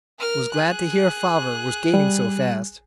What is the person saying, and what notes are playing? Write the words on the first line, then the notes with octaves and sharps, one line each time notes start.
Was glad to hear father was gaining so fast.
A#4 F6
G#4 F#6
G3